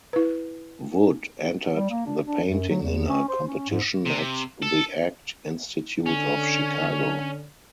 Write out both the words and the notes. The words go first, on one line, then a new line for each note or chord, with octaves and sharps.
Wood entered the painting in a competition at the Art Institute of Chicago.
E4 B4
G3
A#3
D4
D4
F#2
F#3
E2
C#4
C5
C#4
G#2
C3
A4
D3 C#4